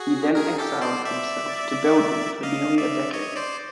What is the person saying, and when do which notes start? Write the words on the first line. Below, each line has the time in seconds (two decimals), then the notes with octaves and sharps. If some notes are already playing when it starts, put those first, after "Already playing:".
He then exiled himself to Belgium for nearly a decade.
Already playing: F#4 G#4
0.35 G#4 A#4
0.58 G4 A4
0.81 C5 D5
1.05 D5 E5
2.43 D#5 F5
2.78 D5 E5
3.13 C#5 D#5
3.36 C5 D5